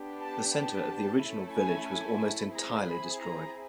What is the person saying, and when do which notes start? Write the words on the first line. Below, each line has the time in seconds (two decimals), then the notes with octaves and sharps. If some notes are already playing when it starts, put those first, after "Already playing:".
The centre of the original village was almost entirely destroyed.
Already playing: B3 D4 G4
0.21 A5
0.53 A5
1.19 A3 C#4 E4 A4
1.53 G#5
2.52 C4 E4 G#4 A#5
2.86 B5
3.19 A#5